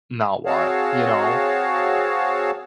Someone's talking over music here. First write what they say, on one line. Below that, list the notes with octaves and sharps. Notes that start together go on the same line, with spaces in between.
now what, you know
C4 F#4 G#4 C#5 F5 A5